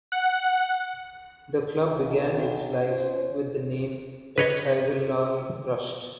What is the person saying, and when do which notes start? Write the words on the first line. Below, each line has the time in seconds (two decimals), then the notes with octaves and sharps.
The club began its life with the name, Esteghlal Rasht.
0.12 F#5
1.78 B1
2.87 C#4 F4 C5
4.38 B4 C#5 D#5